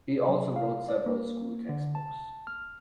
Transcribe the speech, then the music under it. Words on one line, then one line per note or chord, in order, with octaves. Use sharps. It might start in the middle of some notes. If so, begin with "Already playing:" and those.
He also wrote several school textbooks.
F#3
F5
D5
A#3
D3
A5
F6